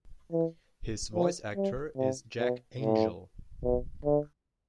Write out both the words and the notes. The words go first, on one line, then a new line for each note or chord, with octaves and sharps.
His voice actor is Jack Angel.
E3
F3
G3
C3
B2
A2
B2
D3